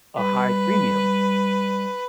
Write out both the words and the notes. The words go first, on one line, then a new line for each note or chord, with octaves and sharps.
a high premium
G3 B4